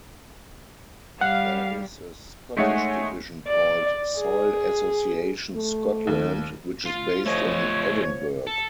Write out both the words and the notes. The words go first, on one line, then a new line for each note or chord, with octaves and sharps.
There is a Scottish division called Soil Association Scotland, which is based in Edinburgh.
G3 F5 F#5
G#3 A3 D#4 C#5 F#5 G#5
D5
G#4
A3
D#2
F4
F3 A3 C#5 D#5
A4